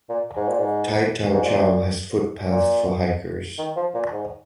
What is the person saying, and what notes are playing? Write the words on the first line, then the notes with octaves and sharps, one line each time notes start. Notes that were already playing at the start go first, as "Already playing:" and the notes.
Tai Tau Chau has footpaths for hikers.
A#2
G#2
A#2
G#2
G#2
A#2
A#2
D#3
F3
A#2
G#2